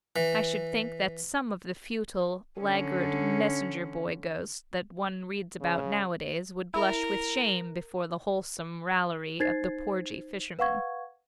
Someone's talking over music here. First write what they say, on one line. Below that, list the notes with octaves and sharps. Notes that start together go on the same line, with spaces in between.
I should think that some of the futile, laggard messenger-boy ghosts that one reads about nowadays would blush with shame before the wholesome raillery of the porgy fisherman.
E3
D3 C#4
C#3
E4 A#4
D#4 C5 G#6 A6 C7
B4 F5 F#5 C#6 G#6